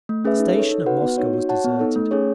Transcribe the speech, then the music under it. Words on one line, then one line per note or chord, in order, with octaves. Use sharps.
The station at Moscow was deserted.
A3
C#4 G#4 B4 E5
D#4
A4 C#5
D#4
F#4 B4 F#5
B3
D#4 F#4 C#5
F#4
C#5 F#5 A5
B3
D#4 A4
A3
C#4 G#4 C#5